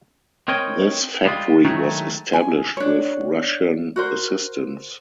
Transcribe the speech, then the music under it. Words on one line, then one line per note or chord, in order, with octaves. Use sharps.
This factory was established with Russian assistance.
C4 A#4 C#5 D#5 G5
G3 G#3 F4
D#3 F#3 G#3 A3
G#5
D4 C#5
F#4 A#4 C5